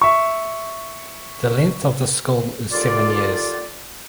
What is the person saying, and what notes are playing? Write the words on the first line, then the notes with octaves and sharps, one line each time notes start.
The length of the school is seven years.
E5 C#6
D#2 D3 F4 D5